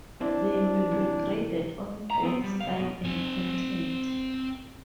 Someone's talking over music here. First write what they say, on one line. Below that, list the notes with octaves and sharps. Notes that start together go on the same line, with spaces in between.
They will be graded on both style and content.
C4 D4 E4
C3 E3
A#2 A#5
B3 C4
G3
C#2 F5
F#2 B2
C4 G#5